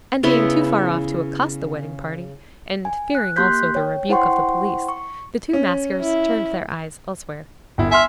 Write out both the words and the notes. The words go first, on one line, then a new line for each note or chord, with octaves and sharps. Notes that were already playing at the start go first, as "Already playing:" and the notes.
And, being too far off to accost the wedding party, and fearing also, the rebuke of the police, the two maskers turned their eyes elsewhere.
C#3 B3 E4 C6
G#5
F#6
A#3 G4 C6 F#6 G6 B6
C#5 G5
E4 C5 F#5 G5 C6 C#6
C#6
C#4
E4
G1 E4
E5 G#5 C6 F6